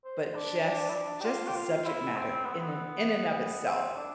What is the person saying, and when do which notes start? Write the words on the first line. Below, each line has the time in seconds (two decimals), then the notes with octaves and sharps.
But just just the subject matter in and in and of itself
0.05 C5
0.35 D4
0.65 D4
0.89 E4
0.95 D4
1.21 G4
1.25 F4
1.48 G4
1.55 F4
1.86 E4
2.16 C4
2.46 B3
2.54 C4
2.62 B3
3.66 C4
3.96 D4